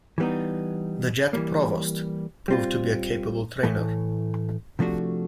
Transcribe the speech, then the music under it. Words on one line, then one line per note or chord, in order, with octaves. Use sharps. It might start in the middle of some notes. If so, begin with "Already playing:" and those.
The Jet Provost proved to be a capable trainer.
E3 G3 B3 D#4
E3 G3 A#3
G3 C4 F4
A2 E3 A3
C3 F3 A3 D4 F#4